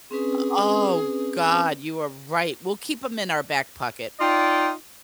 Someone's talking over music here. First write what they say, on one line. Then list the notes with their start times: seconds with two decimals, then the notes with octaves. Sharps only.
O oh, god, you are right, we'll keep 'em in our back pocket.
0.11 C4 C#4 G#4 B4
4.20 D#4 F4 D5 G5